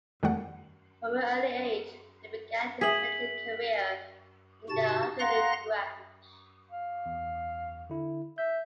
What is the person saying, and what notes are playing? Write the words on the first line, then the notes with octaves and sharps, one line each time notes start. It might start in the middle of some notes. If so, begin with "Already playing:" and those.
From an early age he began his military career in the artillery branch.
F2 D#3 G3 A3 F#5
G#4 E5 B6 F#7
G#2 C3 F#4 A5 A6
F5 F#5 A#5 C6 F#6 A#6
F5
E2
D3 E4
E5 G6